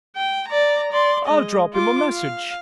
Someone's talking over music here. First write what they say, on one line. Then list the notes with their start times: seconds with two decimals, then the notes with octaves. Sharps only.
"I'll drop him a message!"
0.16 G5
0.48 D5 A#5
0.92 D5 C6
1.27 G#3 D#5
1.73 F4 D6
2.12 F5